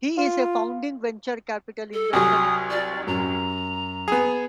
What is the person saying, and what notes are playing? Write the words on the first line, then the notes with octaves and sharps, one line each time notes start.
He is a founding Venture Capital Investor in Groupon.
F4
A4
C2 F#3 G#5 D#6
D5
F#2 A#5
B3 G#4